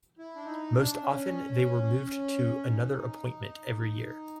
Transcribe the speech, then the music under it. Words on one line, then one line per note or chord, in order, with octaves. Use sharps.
Most often they were moved to another appointment every year.
E4
D4
D#4
D4
C#4
D#4